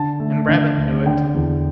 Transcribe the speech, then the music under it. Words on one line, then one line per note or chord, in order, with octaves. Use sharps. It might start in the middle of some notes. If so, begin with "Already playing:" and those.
And Braham knew it.
Already playing: D3 A5
A3
D3
D2
D3 G5
E2